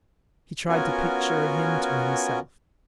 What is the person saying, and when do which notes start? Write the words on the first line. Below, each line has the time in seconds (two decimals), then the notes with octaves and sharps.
He tried to picture him to himself.
0.69 B3 C#4 F4 F#4 A#4 G#5